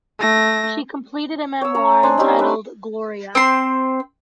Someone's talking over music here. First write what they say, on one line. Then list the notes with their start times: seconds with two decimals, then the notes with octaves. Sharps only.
She completed a memoir, entitled "Gloria".
0.19 A3 A#6
1.61 C#5 E6
1.75 C#4 C#5 A#5
2.03 C4 D4 C5 G#5
2.18 G3 C4 C#4 D#4
2.39 D4 B4 C#6 E6
3.35 C4 C6